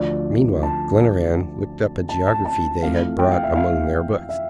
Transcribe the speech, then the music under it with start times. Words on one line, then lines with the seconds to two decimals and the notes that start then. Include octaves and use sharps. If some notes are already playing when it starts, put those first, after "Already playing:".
Meanwhile, Glenarvan looked up a geography they had brought among their books.
Already playing: D2 D3 F3 D5
0.63 A5
2.09 A5
2.28 A5
2.45 A5
2.83 F2 E3 A3 F5
3.19 G5
3.32 F5
3.43 E5
3.56 F5
4.29 E5